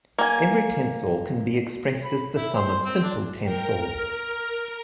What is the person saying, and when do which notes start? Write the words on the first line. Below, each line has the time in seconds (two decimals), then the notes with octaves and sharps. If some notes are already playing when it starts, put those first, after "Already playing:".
Every tensor can be expressed as a sum of simple tensors.
0.18 A#3 G#5
2.04 B5
2.35 E4
2.54 C5
2.86 C4
3.03 D4
3.45 A#4 G5
3.98 F6